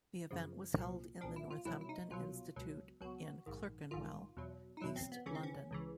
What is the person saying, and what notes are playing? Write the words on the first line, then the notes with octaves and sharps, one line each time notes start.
The event was held in the Northampton Institute in Clerkenwell, East London.
F#2 C#3 F3
C2 A#2 F3
C2 A#2 F3 D4
E4
F4
C2 B2 F#3 E4
E4
D#4
C2 B2 F#3 F4
C#2 B2 F#3
C#2 B2 F#3 F#4
A#1 G#2 D#3
A#1 G#2 D#3 F4
E2 B2 F#3
D#4
E2 B2 F#3 E4
C4
B3
C#2 C#3 E3 C#4
C4
C#4
C#2 C#3 E3